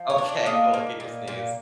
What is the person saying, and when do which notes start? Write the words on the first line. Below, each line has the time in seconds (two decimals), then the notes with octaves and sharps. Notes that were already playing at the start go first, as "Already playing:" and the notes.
Okay, cool. Get your sneeze.
Already playing: F3
0.10 C#5
0.18 D4
0.29 D5
0.46 A#3 D#5
0.74 A#3
1.00 A#2
1.27 A#2